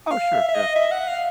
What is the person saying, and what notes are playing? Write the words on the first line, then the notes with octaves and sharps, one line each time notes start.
Oh, sure, yeah.
F5
E5
E5
D#5
E5
F#5
F5